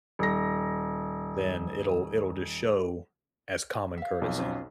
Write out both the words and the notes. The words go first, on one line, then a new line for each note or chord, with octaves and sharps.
then it'll it'll just show as common courtesy,
D#1 A#6
E5 F5
B1 F2
C#4 F4 C5